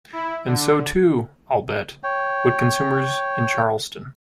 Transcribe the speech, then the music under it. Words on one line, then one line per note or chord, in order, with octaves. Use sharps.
And so too, I'll bet, would consumers in Charleston.
E4
D3
C#5 G5